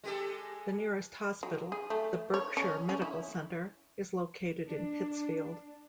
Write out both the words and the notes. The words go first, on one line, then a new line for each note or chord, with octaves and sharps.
The nearest hospital, the Berkshire Medical Center, is located in Pittsfield.
G#3 G4 A4
F#3
G#4
A3
C#5
C#4
C#4
E4
D4